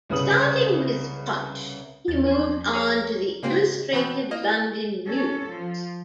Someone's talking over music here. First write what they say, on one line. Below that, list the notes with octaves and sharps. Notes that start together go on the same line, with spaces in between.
Starting with "Punch", he moved on to the "Illustrated London News".
C2 C#3 B4 D#6 F#7
E2 F3 A6
C5 G#5
G#4 C#5 A#5
G#2 C#3 G#3 A#3 C4 F#4
B2 E3 B3 B4 C#5 G5
A#3 E4 D#5
C#4 A4
F3